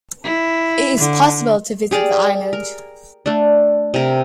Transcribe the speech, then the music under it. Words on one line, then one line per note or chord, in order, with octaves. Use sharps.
It is possible to visit the island.
E4
D3
G4 G#4 A#4 D5
A#4
A3 D4
C3 A#4